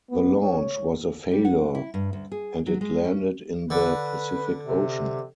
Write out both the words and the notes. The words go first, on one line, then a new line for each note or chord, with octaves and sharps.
The launch was a failure, and it landed in the Pacific Ocean.
B3
C#5
G3
F#5
E4
G2
D2
G#4
F#3
G#3
C#4
D3 B4
C3